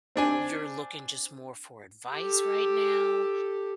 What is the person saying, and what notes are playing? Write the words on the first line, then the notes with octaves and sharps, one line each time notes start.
you're looking just more for advice right now,
C4 D4 G#5
G4 A4